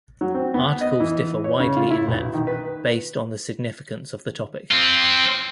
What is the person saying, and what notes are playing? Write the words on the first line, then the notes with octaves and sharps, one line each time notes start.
Articles differ widely in length based on the significance of the topic.
F#3
C4
B3
D#5
E3
C#5
C#3
F4
E4
B1
D#3
B4
C4 F4